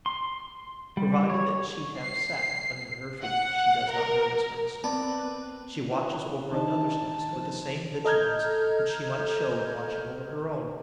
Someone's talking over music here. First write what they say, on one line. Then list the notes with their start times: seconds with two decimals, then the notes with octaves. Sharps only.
Provided that she have satin under her feet, she does not notice her mistake; she watches over another's nest with the same vigilance which she might show in watching over her own.
0.06 C6
0.97 G3
1.30 C#5
2.00 C7
3.22 F#5
3.90 A#4
4.84 B3 C4 D5 A5
5.91 E4 B4 C#5
6.51 D#3 D4 D#4 A5
7.30 F3 C5
8.04 A4 D#5 A#5 F6 G6 G#6